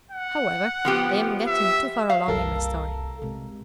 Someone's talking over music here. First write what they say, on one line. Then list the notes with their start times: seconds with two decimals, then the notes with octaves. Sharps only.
However, I am getting too far along in my story.
0.11 F#5
0.85 F3 B3 G4
1.47 E5
2.10 F5
2.28 F#1 C2 A4 A#4
3.22 C3 G#3